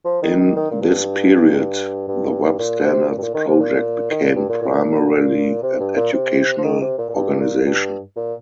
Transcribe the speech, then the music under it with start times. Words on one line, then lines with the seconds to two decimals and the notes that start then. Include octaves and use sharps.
In this period, the Web Standards Project became primarily an educational organization.
0.05 F3
0.22 D#3
0.39 D#3
0.56 D#3
0.71 A#2
0.81 G2
2.08 G2
2.48 G2
2.59 A#2
2.84 C3
3.10 A#2
3.17 G2
3.22 A#2
3.34 D#3
3.47 C3
3.60 A#2
4.11 D#3
4.23 A#2
4.35 G2
4.49 A#2
4.62 A#2
5.63 C3
5.80 G2
5.97 A#2
6.13 C3
6.58 F3
6.63 D#3
6.81 C3
6.98 A#2
7.09 A#2
7.15 G2
7.40 A#2
7.60 A#2
7.66 G2
8.16 A#2